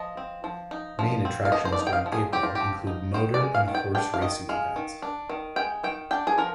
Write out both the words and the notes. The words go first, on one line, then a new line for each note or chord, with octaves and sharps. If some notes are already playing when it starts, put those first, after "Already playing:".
Main attractions during April include motor and horse racing events.
Already playing: F3 D#5
C4
F3
D#4
F3
C4
F5
F3 D#5
C5
D5
D#4
G5
F5
F3
G#4
C4 G4
F4
F3 G4
D#4
D#3 C5
D5
G#3
F5
D#3
G5
D4 G5
F5
D#3 D#5
G#3 F5
D#3
D4
D#3
G#3 G5
D#3 G5
D4 G5
G#4
F3 A#4